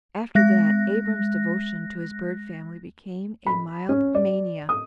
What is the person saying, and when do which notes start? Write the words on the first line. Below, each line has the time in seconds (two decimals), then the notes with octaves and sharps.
After that Abram's devotion to his bird family became a mild mania.
0.35 G#3 F#6 A#6
3.47 B5
3.89 C#4
4.15 D5
4.69 D#6